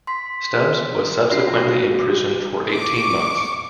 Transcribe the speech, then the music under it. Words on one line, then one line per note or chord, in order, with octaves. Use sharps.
Stubbs was subsequently imprisoned for eighteen months.
C6 B6
D4 F4 F#4 B5 A#6 C7
C#6 D6